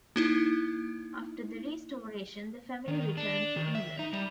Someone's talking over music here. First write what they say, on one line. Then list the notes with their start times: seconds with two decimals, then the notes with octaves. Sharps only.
After the Restoration the family returned to England.
0.16 A#3 D#4 E4
2.88 D#3
3.17 D4
3.56 D#3
3.75 E5
3.99 D#4
4.13 G3